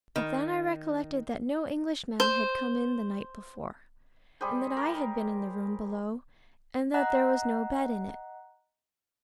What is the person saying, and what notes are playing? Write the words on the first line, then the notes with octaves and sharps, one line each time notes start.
But then I recollected that no Englishmen had come in the night before, and that I had been in the room below, and that there was no bed in it.
D#3
C5
G3 G#4 C5
A#4
D#5 F#5 A#5 F#6